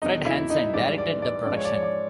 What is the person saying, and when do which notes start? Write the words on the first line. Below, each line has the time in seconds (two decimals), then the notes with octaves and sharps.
Fred Hanson directed the production.
0.02 E2 B2 F#3 D#4 D#5
0.25 E4 E5
0.50 D#4 D#5
0.74 G#2 E3 G3 D5
0.98 D5
1.22 D5
1.46 G#2 F3 G#3 D5
1.56 C#5
1.65 D5
1.74 C#5
1.83 D5